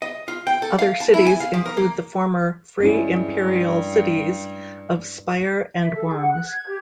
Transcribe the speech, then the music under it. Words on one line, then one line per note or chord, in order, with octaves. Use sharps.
Other cities include the former Free imperial cities of Speyer and Worms.
D#5
F4
G5
A4
F5
A5
E4
G#5
F5
F3
A#4
A#3
G2 G#3 C#4 E4
E5
A4
G#4
F#5
F#6
G#6
G4